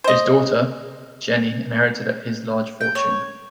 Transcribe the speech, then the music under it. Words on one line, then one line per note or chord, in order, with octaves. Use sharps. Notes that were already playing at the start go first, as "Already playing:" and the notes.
His daughter, Jennie inherited his large fortune.
C5 D#5
G5
C#5